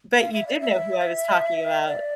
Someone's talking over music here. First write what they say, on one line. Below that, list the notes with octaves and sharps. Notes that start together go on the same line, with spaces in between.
but you did know who I was talking about.
F5
E5
D5
E5
D5